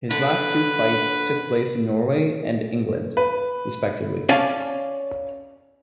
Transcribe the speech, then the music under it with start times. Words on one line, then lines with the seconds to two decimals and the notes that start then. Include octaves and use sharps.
His last two fights took place in Norway and England, respectively.
0.11 D3 B4
3.17 B4
4.29 C#4 C#5 D5 F5 G#5 A5